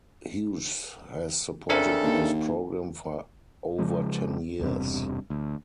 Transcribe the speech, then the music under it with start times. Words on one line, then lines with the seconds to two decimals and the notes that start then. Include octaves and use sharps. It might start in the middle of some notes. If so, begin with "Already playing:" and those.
Hughes has supported this program for over ten years.
1.70 C#3 C4 D4 A4 A#4 E5
2.04 D#2
3.79 C#3 F3 G#3
4.60 E1 E2 G2 C3
5.30 D2